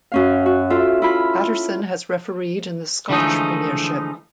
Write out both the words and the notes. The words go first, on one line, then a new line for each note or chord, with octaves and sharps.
Paterson has refereed in the Scottish Premiership.
F#2 C#4 F5
F#4
F4 A4 E5
E4 F4 B5
D3 E3 F3 G#3 A3 D#4